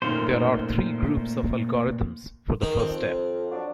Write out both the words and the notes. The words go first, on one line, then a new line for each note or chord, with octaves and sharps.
There are three groups of algorithms for the first step.
F#2 A#2 D#3 A3 A#3 C5
D#3 D#4 G#4
F2 C4
F3 F#3 D4